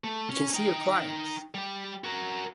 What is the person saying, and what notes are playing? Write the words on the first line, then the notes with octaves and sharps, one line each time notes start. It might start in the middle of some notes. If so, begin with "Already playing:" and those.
You can see your clients.
A3
C#4
D#4 G5
G3 G4
F#4 A#4